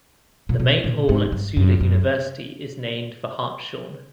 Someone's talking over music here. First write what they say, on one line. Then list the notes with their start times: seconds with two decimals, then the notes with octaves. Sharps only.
The main hall at Tsuda University is named for Hartshorne.
0.49 A#2
0.60 B2
0.84 A#2
1.09 G#2
1.32 G2
1.57 F#2
1.80 F#2